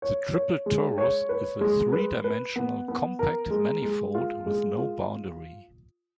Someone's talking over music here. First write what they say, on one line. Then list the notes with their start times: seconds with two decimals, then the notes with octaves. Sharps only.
The triple torus is a three-dimensional compact manifold with no boundary.
0.02 C#5
0.34 C#5
0.66 G#3
0.98 C#5
1.29 B4
1.61 G#3
1.92 B4
2.24 B4
2.56 B3
2.88 B3
3.19 A#4
3.50 G#3
3.82 G#3
4.15 F4
4.46 G#3
4.78 F4